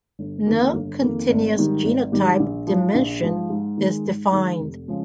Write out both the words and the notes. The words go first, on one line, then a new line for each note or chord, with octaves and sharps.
No continuous genotype "dimension" is defined.
G1
F2 D#3 A#3
G1
F2 D#3 A#3
G#1
G#2 D#3 G3
G#1
G#2 D#3 G3
A#1
G#2 F3
A#1
G#2 F3
G#2
D#3 G#3
G#2
D#3 G#3
F1
C#3 F3 G#3